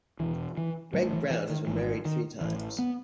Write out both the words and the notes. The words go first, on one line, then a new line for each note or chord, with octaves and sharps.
Greg Brown has been married three times.
E1 E2 B2 E3
E3
A1 A2 F#3
E3
E3
D#3
G#1 G#2 E3
D#3
A1 A2 E3
B3